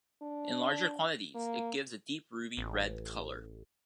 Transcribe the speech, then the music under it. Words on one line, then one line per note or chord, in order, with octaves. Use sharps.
In larger quantities, it gives a deep ruby red colour.
D4
A#3
A1